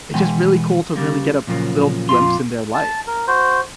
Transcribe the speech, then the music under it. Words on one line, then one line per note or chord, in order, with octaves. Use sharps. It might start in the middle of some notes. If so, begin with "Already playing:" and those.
it's, just, really cool to really get a little glimpse in their life.
B2 E3 G#3 B3 G5
C#3 G3 A#3
A#2 C#3 F3 F#3 A3 A#3
F2 A#2 F4 C6
A5
A#4
F#4 C5